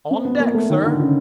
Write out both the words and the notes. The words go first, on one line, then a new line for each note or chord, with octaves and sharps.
"On deck, sir."
C4
B3
A#3
A3
D#3
D3
C#3